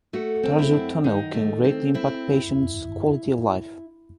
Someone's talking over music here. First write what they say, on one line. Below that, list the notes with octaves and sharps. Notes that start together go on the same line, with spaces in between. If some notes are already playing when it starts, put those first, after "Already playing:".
Tarsal tunnel can greatly impact patients' quality of life.
A3 F#4
C4
E4
F#2
D#3 D#4
A3
C4
C4 E4